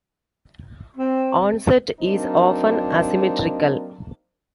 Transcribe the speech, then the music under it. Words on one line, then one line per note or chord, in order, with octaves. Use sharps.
Onset is often asymmetrical.
C4
F#3 A#3 C4 D4 D#4